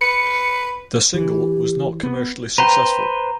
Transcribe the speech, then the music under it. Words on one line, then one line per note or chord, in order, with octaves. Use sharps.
The single was not commercially successful.
B4 C#7
E3 G4
B3
B4 C5 G5 A#5